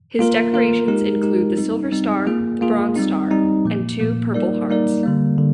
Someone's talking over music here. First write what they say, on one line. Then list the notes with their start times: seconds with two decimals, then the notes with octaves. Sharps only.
His decorations include the Silver Star, Bronze Star, and two Purple Hearts.
0.19 A#3 F4 A#4
0.54 A#3 F4 A#4
0.88 G#3 D#4 G4 A#4
1.23 G#3 D#4 G4 A#4
1.57 G3 C4 D#4
1.92 G3 C4 D#4
2.27 A#3 F4 G#4
2.61 A#3 F4 G#4
2.96 G3 C4 D#4
3.31 G3 C4 D#4
3.65 A#2 F3 A#3
4.00 A#2 F3 A#3
4.34 G3 A#3 D#4 A#4 D5
4.69 G3 A#3 D#4 A#4 D5
5.03 D3 G3 A#3
5.38 D3